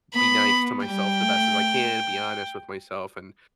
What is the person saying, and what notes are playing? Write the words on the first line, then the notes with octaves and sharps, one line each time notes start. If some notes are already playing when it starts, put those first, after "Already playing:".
be nice to myself the best as I can, be honest with myself and
B3 B5
G3 G5
A3